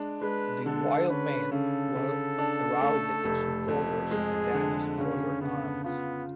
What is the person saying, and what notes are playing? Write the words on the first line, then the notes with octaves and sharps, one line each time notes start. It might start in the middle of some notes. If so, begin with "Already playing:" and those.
The wild men were heraldic supporters of the Danish royal arms.
Already playing: G#3 D4
G#3 B4
D3 A4
C#4 B4
C#3 A4
C#3
D4
A3
F1
F2
G#3 G#4
D3
C#3 C#4
C#3 B3
B3 F4